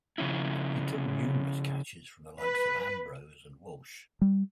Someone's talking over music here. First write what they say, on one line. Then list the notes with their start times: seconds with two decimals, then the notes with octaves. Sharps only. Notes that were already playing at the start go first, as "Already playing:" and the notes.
He took numerous catches from the likes of Ambrose and Walsh.
0.18 C#3 F3 C#4 E4
2.40 B4
4.22 G3